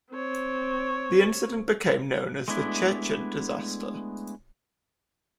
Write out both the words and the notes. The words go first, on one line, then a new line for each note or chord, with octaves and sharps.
The incident became known as the Cheche Disaster.
C4 C#5
G#3 A3 B3 D4 E4